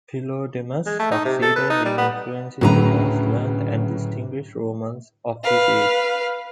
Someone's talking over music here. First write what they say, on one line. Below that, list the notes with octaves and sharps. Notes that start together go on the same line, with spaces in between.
Philodemus succeeded in influencing the most learned and distinguished Romans of his age.
G#3
A3
D#4
C3
A4
B4
D#4
G3
B3
D2 A2 C#3 F#3 B4 A#5
B4 F5